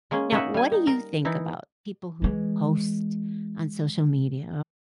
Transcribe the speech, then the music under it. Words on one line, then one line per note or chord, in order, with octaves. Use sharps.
Now, what do you think about people who post on social media,
G#3 A#3 C#4 G#4
A#3 C#4 D#4 D#5 E5 F#5
G3 G#5
D#4
A#4
E3 D#4 E4
E3 G#3